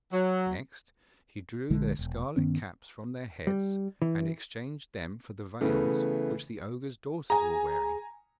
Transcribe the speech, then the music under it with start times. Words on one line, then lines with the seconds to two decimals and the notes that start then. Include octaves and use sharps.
Next he drew their scarlet caps from their heads and exchanged them for the veils which the ogre's daughters were wearing.
0.12 F#3
1.70 A#1 D3 G#3
1.99 E1
2.37 G2 D#3 B3 C#4
3.47 G3
4.02 E3
5.61 C#3 E3 A3 B3
7.30 G#4 G#5 A#5